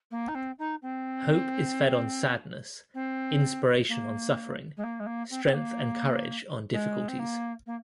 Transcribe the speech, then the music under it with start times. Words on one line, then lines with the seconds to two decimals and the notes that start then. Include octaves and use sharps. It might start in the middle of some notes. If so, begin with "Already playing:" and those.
Hope is fed on sadness; inspiration on suffering; strength and courage on difficulties.
0.11 A#3
0.28 D#4
0.35 C4
0.59 D#4
0.82 C4
2.94 C4
3.89 A#3
4.77 G#3
4.84 A#3
5.00 G#3
5.06 A#3
5.30 C4
5.44 C4
5.54 A#3
6.72 G#3
7.08 C4
7.19 A#3
7.66 A#3